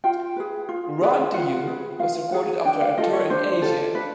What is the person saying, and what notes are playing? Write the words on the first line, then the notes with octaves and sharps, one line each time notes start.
"Run to You" was recorded after a tour in Asia.
F4 G5
G#4 B4
F4
G#4 B4
F4 F#5
G#4 B4
F4 F5
G#4 B4 F#5
D4 G5
F5
F4 A4 D#5
C#5
D4 C5
F4 A4
D4 B4